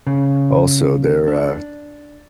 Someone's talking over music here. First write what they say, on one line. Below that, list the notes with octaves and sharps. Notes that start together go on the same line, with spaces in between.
Also, they're, uh
C#3
D4